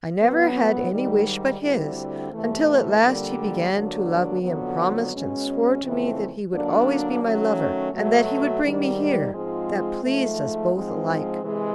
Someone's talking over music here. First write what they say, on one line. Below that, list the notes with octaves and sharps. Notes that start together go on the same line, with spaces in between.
I never had any wish but his, until at last he began to love me and promised and swore to me that he would always be my lover, and that he would bring me here; that pleased us both alike.
A2 F#3 B3
G#2 D#3 G3
D2 D3 G3 C4 E4
E2 C3 E3 A3
F2 D3 G3 A#3
G2 D3 F#3 A#3 D4
F2 D3 F#3 B3
B2 G#3 C#4
F2 C#3 E3 A3 C4
D3 F#3 A#3 D4
D#3 F#3 A3 C#4
B2 F#3 A3
G#2 D#3 G3
G#2 F3 G#3 C4 F4
G#2 F3 A3
G#2 F3 G#3 C4
C3 E3 G#3